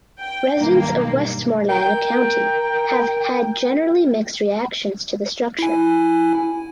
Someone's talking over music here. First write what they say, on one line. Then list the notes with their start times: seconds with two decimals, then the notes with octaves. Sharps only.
Residents of Westmoreland County have had generally mixed reactions to the structure.
0.20 G5
0.59 B1 G2 D#3 A#3
1.69 A#4 G5
5.59 E4 G#5